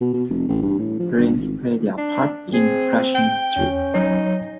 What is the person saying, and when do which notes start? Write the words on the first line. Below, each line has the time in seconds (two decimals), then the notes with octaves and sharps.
Rains play their part in flushing streets.
0.01 B2
0.13 B2
0.29 F1
0.48 A1
0.62 G2
0.79 A2
0.99 F3
1.17 G1
1.40 G#1
1.98 D4
2.54 C4 G#4
3.15 G5
3.56 E2 C#4
3.94 F#3 D#4 C#5